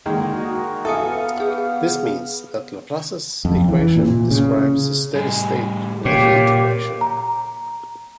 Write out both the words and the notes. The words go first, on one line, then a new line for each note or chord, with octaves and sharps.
This means that Laplace's equation describes a steady state of the heat equation.
D3 D#3 G#3 A#3
D#4 F#4
B3 A4 E5 F5 G#5 D#6 C#7
G#4
F2
E3
A#2
C#3
A2 G3 G#4
A#2 G4 C#5
A#5